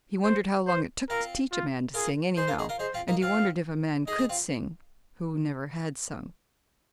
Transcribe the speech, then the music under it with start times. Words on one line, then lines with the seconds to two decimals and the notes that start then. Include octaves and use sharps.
He wondered how long it took to teach a man to sing, anyhow; and he wondered if a man could sing--who never had sung.
0.24 C5
0.67 C5
1.10 C4 F4 A#4
1.52 F4
1.94 F4 G#4 A#4
2.37 D#4 G#4 C5
2.48 F4 A#4
2.59 D#4 G#4
2.69 F4 A#4
2.79 D#4 G#4 C5
2.94 C4 F4
3.08 A#3 D#4
3.22 C4 F4 F5
4.07 D#4 G#4 D#5
4.18 D#4 G#4
4.29 C4 F4